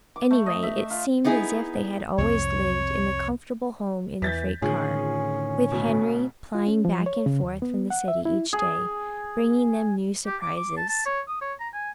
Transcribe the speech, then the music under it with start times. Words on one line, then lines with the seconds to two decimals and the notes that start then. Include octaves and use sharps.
Anyway it seemed as if they had always lived in the comfortable home in the freight car, with Henry plying back and forth from the city each day, bringing them new surprises.
0.16 D6
0.31 A3
0.46 D#5
0.63 E5
0.90 F4
1.24 B3 D#4 E4 G#4
2.18 C2 F2 C4 C#5
4.22 E2 E3 G6 A6 B6
4.62 A2 D3 D#3 C#4 F4 G#4
5.72 D2 B2
6.55 F4
6.68 C#4
6.85 F3
7.06 C#5
7.26 C#3
7.42 D#2
7.62 B3
7.90 F#5
8.08 E5
8.25 E4
8.53 G#4
10.27 G4
10.42 D6
10.57 D6
10.77 A5
10.89 A5
11.06 C#5
11.28 D#6
11.42 C#5
11.60 A#5
11.74 G#5